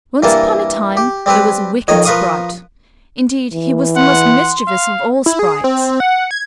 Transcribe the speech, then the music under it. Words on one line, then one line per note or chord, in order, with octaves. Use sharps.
Once upon a time there was a wicked sprite, indeed he was the most mischievous of all sprites.
G2 E3 A#3 A#4 A5
G4
G3 C4 G4 B4
F2 D#3 C#5 D#5 A#5
F3 A#4 B4 F5 C#6 D#6
E3
F#5 C6
F5
E4
G#4
C4
F#5
G#6